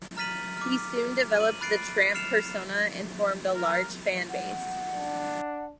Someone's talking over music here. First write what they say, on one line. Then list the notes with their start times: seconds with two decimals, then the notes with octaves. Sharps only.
He soon developed the Tramp persona and formed a large fan base.
0.17 A#5 F6 A6 B6 D#7 F#7
0.57 D6 F6
1.36 D#7 F#7
1.61 B5 F#6 A6 C7 D7
2.15 F6 C7 C#7 E7 F7
3.55 A#4
4.29 F#5
4.93 D4